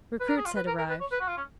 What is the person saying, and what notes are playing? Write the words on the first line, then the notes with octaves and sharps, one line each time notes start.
Recruits had arrived.
B4
A#4
G#4
F4
B4
A#4
A#4
B4
C#5
B4
F#4
F4
C#4